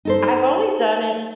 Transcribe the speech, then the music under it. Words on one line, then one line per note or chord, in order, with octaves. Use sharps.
I've only done it
D#4 A4 C5